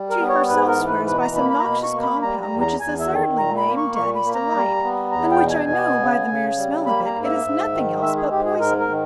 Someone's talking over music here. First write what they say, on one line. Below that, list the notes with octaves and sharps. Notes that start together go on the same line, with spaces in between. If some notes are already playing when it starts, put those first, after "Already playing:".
She herself swears by some noxious compound, which is absurdly named "Daddy's Delight," and which I know, by the mere smell of it, is nothing else but poison.
Already playing: G3
A#4
B3
C#5
G#2 B4
A#4
E3
B4
B2 B4
A#5
A#3 B5
B5
A#5
B2 B5
C#6
A#3
B5
G3 A#5
A#5
E2
A#5
E2 G#5
E5
D#3
A#2 A#5
B5
A#3
C#6
A#2 C#6
B5
A#3
A#5
G3
B3
E2 A#5
G5
B2
G#5
B3
C#3
C#3
G3
A#3 B5
A#5
G#2
E5
G#2
D#3
G#3 E5
G#4
G#2 G4
G#4
G#2 A#4
A#4
D#3